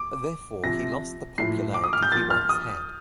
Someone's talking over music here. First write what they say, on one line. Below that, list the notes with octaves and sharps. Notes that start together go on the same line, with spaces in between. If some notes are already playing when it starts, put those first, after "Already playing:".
Therefore he lost the popularity he once had.
Already playing: D6
C3 F3 A#6
A2 F3 C7
D6
D#6
F6
G6
A#2 F3 A6
F6
D#6